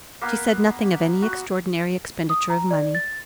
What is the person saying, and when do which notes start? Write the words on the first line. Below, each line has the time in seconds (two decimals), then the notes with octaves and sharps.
She said nothing of any extraordinary expenditure of money.
0.21 A#3 B3
1.22 F#4
2.30 D#6
2.50 A#5
2.71 D5
2.95 A6